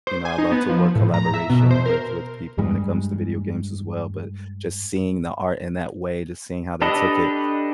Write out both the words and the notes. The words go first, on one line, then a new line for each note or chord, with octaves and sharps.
you know, I love to work collaboration with with people, when it comes to video games as well, but, just seeing the art in that way, just seeing how they took it
C5
G#5
D#4
B3
F3
A2
A#5
E5
B2
C5
A#4
G2 G3 G#3
D4 G4 A4 B4 D#5